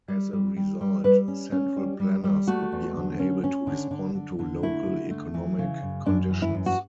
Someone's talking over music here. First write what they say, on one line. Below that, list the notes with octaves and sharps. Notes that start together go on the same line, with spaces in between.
As a result, central planners would be unable to respond to local economic conditions.
G3
G3
G3
G3
G3 B4
C#4
C#4
G3
G3
G3
A3 F#4
E2
D3
C#4
C#4
D3
D3
D3
D3
A3 E4
D3
A3
E3
C#3
F#2
F#2 D4
E3
E4
F#2
F#4